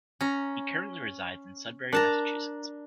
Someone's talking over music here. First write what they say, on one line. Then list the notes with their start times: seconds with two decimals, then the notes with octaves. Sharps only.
He currently resides in Sudbury, Massachusetts.
0.21 C#4 A#5
1.93 D4 A#4 A5 A#5